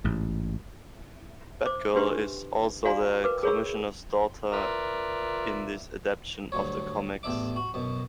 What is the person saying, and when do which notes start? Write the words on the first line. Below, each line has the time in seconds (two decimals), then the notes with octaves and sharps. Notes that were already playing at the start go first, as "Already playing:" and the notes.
Batgirl is also the Commissioner's daughter in this adaption of the comics.
0.04 A1 G#2
1.66 C5 D6
1.95 D4 G4 B4 C6
2.85 F#4 D5 F5 G#5 A#5 C6
3.24 A#4 B4 D6
3.43 G#4 A#4 C#5 B5 C#6 E6
4.52 F4 A#4 B4 D5 E5
6.52 D2 G2 F#3 C#5
7.23 A1 E2 D4 E5 D6
7.56 F#4
7.74 F#2 B2